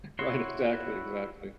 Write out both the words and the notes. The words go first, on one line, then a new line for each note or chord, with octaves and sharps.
Right, exactly, exactly.
E4 F#4 C#5 C6